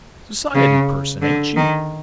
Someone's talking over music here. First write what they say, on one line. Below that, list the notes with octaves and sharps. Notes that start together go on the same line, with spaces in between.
"Society person, ain't she?"
C#3
D3
D#3